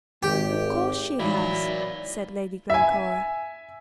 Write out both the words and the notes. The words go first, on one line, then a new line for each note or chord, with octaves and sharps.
"Of course she has," said Lady Glencora.
G#1 G4
E3 F#3 G#3 D#4 E4 D5 F5
E5 G#5